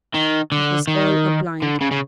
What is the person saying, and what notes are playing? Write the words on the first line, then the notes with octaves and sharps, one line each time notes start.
That was all a blind.
D#3
D3
D#3
D3
C#3
C#3